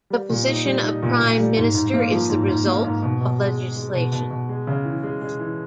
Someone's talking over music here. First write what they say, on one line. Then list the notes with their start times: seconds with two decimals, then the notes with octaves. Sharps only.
The position of Prime Minister is the result of legislation.
0.10 G3
0.30 A#2
0.47 D#4
0.66 G3
0.84 D#4
1.03 A#2
1.20 A#2
1.39 G3
1.57 G#2
1.75 G#2
1.94 A#3
2.11 F3
2.30 G#2
2.48 G#2
2.65 A#3
2.84 G#2
3.03 B2
3.21 B2
3.39 G#3
3.58 G#3
3.76 G#3
3.94 B2
4.12 B2
4.30 B2
4.49 G#3
4.67 C#3
4.85 E3
5.03 G#3
5.21 G#3
5.39 E3